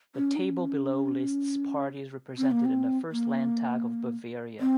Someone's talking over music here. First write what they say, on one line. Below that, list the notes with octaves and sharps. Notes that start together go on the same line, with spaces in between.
The table below lists parties represented in the First Landtag of Bavaria.
C#4
D#4
C#4
C4
C#4
C4
A#3
C4
A#3
C4